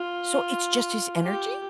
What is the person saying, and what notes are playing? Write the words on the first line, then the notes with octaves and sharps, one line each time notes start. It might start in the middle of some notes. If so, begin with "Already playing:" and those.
So it's just his energy?
Already playing: F4
G4